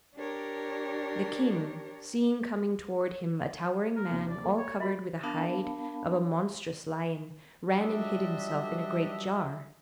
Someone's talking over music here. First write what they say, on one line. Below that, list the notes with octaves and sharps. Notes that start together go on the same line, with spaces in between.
The king, seeing coming toward him a towering man all covered with the hide of a monstrous lion, ran and hid himself in a great jar.
D4 G4 A#4 C#5
A#4
D#2 C3 D#4
D5
A#3 A4 A#4
C#5
F#4 D#5 B5
B3 D4 A#4 F5 A5 B5
F#3 G3 D4 F4 D#5 E5